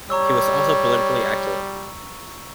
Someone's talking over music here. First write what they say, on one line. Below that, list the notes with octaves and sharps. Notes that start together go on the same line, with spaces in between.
He was also politically active.
G3 C#5 A#5 C#6 E6